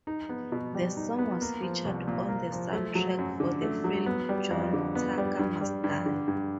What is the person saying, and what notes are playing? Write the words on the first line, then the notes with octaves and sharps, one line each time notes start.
The song was featured on the soundtrack for the film "John Tucker Must Die".
D#4
B3
B2
G3
D#4
B3
A#3
F3
C2
A#2
A#3
F3
A3
F#3
F#2
D3
A3
F#3
B3
G3
F2
D3
B3
G3
G2
G3
G2
D3
G2